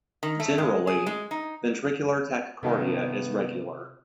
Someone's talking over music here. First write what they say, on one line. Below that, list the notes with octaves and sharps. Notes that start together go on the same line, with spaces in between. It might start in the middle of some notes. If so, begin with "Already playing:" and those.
Generally, ventricular tachycardia is regular.
D#3
A3
G#3
G#4
G#3
D#4
G2 C3 D#3 B3 A4 E5